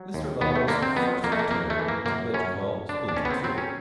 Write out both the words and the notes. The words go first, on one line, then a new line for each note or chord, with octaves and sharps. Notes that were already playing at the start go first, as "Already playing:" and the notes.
Mr. Ludlow's first terrier was a bitch called Splinter II.
Already playing: F#3
D#2
D#2 B3
A3
D3 A#3
C4
F2 B3
F2 A#3
A3
A#3
F2 A#3
A3
E3
A#3
F#2 A#3
F#2 C#4
F#2
D3 D4
D4
D#2 C#4
B3
C4
F#3 C4
C#4